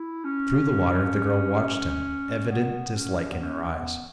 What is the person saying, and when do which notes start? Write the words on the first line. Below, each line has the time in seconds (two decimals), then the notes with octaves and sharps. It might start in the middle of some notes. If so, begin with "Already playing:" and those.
Through the water the girl watched him, evident dislike in her eyes.
Already playing: E4
0.24 C#4
2.50 B3
2.96 C#4
3.31 B3
3.41 C#4
3.72 B3